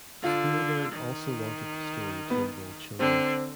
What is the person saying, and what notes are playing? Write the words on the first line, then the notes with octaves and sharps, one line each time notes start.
Spielberg also wanted the story to involve children.
D3 F4
D#3
B3
D3 C4